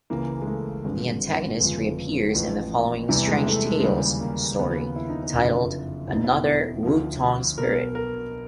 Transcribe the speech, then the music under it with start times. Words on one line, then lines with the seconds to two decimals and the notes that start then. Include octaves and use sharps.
The antagonist reappears in the following "Strange Tales" story titled "Another Wutong Spirit".
0.10 C#2 C#3 E3 A#3
0.42 G#3
0.47 A3
0.84 G#1 G2 D3 F3 G#3
1.60 G1 F2 C#3 F3 G#3
2.35 A1 A2 F3
3.09 E2 C3 E3 G3
3.27 G#3
3.47 A3
3.65 G#3
3.80 G#3
3.84 D#2 C#3 E3 G3
4.21 A#3
4.59 D#2 C#3 F3 B3
4.96 E4
5.10 D#4
5.24 E4
5.33 F#1 F2 D3 F3
6.08 E1 E2 B2 E4
6.16 D#4
6.24 E4
6.83 D2 D3 F3
7.58 B1 B2 A#4
7.95 A#4